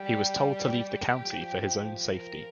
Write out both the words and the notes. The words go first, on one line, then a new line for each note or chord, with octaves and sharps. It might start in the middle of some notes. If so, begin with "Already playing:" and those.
He was told to leave the county for his own safety.
Already playing: G3 G4
G4
F3
A#4